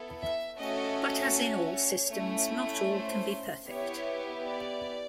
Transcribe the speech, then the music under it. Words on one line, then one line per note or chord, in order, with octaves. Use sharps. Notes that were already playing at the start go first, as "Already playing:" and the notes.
But as in all systems, not all can be perfect.
Already playing: B3 E4 A4
E5
A3 C#4 F#4 A4 D#5
C#5
A3 C#4 E4
C5
B3 E4 G4 C#5
D5